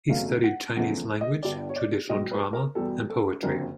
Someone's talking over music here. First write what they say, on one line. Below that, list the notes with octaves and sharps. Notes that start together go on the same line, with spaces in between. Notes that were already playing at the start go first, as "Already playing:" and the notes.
He studied Chinese language, traditional drama, and poetry.
F1 E2 C#3 F#3 A3 F5
F#5
E2 C#3 F3 A3 F#5
D#5
G1 G2 D3 G3 D5
C#5
D5
B1 B2 G3 D#5
B4
A#4
E2 B2 G3 A4
A4
F#1 F2 D3 F#3 A#4